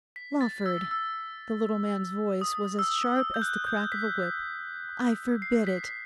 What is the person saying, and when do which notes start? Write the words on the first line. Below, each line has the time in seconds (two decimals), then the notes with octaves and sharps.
'Lawford!' the little man's voice was as sharp as the crack of a whip; 'I forbid it.
0.16 B6
0.41 A6
0.66 E6
0.91 E6
2.41 D#6
2.79 E6
3.17 E6
3.34 G6
3.42 F#6
3.67 G6
3.92 B6
5.42 C7
5.67 B6
5.83 B6